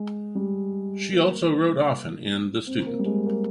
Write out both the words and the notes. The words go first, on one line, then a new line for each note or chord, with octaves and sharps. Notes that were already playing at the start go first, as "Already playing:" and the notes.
She also wrote often in ‘The Student’.
Already playing: G#3
G3
A#3
C4
A#3
G3
G#3
A#3